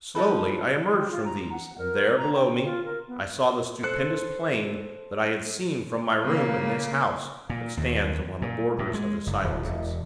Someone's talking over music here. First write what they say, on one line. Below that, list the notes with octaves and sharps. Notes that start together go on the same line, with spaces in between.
Slowly, I emerged from these, and there, below me, I saw the stupendous plain that I had seen from my room in this house that stands upon the borders of the Silences.
F3 D#4 A4 B4
G4
F4
A#5
F#5
A#4
A#5
G5
F4
A#4
B3
A4 C5 F#6 C#7
C#3 A#3
A#2
D#2
A#2
A2
G#3
F#1
D1
E1